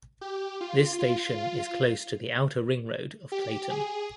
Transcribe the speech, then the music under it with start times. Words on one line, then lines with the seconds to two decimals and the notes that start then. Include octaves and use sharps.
This station is close to the outer ring road of Klaten.
0.21 G4
0.61 F4
0.99 F4
1.38 F4
3.32 G4
3.70 G#4